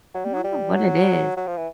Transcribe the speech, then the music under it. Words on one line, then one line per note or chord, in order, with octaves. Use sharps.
I don't know what it is.
F#3
G3
F#3
G3
F#3
F#3
F3
E3